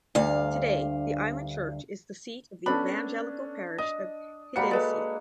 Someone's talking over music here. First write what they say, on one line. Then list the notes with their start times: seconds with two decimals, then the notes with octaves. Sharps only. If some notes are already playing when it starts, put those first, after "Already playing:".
Today the island church is the seat of the Evangelical parish of Hiddensee.
0.15 D2 G2 F5
2.66 B3 C#4 D4 A4 B5
3.78 D#5 D#6
4.56 G3 A#3 F#4 C5 B5 C#7
4.71 G#3 A4 B4 D5